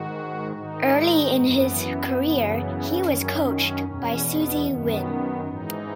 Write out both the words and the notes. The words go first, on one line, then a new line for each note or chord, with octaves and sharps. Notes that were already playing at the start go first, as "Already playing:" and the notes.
Early in his career, he was coached by Susie Wynne.
Already playing: G#2 D#3 F#4
G#2 D#3 D#4
F#2 E3 B3
F#2 C#3 E3
F#2 D#3 C#4
C#4
E2 B2 C#4
B3
F#2 D#3 B3
G#2 E3 D#4